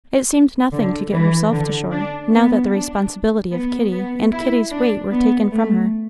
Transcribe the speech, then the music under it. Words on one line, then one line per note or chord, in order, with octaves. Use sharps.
It seemed nothing to get herself to shore, now that the responsibility of Kitty and Kitty's weight were taken from her.
D3
E3
D3
D4
B3
D4
B3
B3
E4
D4
B3
A3